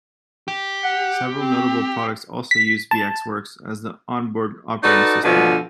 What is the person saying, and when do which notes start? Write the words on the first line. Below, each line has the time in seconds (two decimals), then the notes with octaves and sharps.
Several notable products also use VxWorks as the onboard operating system.
0.48 G4
0.84 F#5
1.39 C4
2.51 B6
2.91 A5
4.83 D#4 F#4 A4 B4 D5
5.23 G2 B2 D3 F3